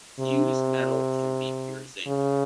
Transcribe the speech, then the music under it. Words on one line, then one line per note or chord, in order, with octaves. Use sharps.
Fuse metal can be pure zinc.
C3
C#3